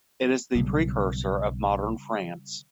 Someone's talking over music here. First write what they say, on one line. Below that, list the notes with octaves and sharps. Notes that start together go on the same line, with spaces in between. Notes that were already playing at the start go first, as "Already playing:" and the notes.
It is the precursor of modern France.
B1 C#3 G3